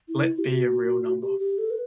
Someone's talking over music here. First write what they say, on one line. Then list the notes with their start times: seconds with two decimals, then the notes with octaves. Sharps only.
Let be a real number.
0.08 E4
0.27 E4
0.38 G4
0.46 F#4
1.21 G4
1.39 G4
1.58 A4
1.70 B4